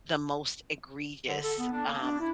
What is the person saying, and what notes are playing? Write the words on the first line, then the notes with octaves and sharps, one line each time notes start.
the most egregious, um,
D3
A4
B3
D4
A#3
D4
E4